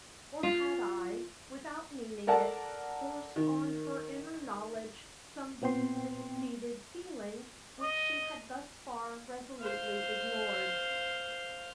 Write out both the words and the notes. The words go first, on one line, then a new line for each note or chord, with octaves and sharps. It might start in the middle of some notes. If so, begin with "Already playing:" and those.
Or had I, without meaning it, forced on her inner knowledge some deeply seated feeling which she had thus far resolutely ignored?
F4
A4 A#4 D5 F#5 A5
D#3
A#2 B3 C4 G5 C6
D#5
C5 F5